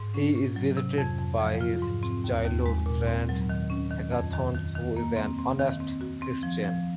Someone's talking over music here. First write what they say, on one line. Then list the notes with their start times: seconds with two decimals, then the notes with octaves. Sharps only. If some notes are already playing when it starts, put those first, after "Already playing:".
He is visited by his childhood friend Agathon, who is an honest Christian.
Already playing: G#2
0.14 C#4
0.35 C#4
0.56 F#3
0.77 C3
0.98 F2
1.19 F2
1.40 F3
1.61 F4
1.82 G#2
2.03 C4
2.24 D#2
2.44 D#2
2.66 G#3
2.86 A#2
3.07 C4
3.29 F#3
3.49 D#3
3.70 C#4
3.91 D#3
4.13 F2
4.33 D#3
4.54 D#3
4.75 D#3
4.96 A#3
5.16 C4
5.39 C4
5.59 D#3
5.80 C4
6.01 F#4
6.22 C4
6.43 F3
6.64 F3